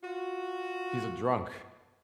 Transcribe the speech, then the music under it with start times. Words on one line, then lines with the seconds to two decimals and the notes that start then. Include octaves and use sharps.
He's a drunk.
0.03 F4 F#4